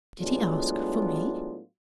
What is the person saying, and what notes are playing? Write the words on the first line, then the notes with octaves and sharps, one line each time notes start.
'Did he ask for me?
A2 F#3 G#3 B3 D4 F4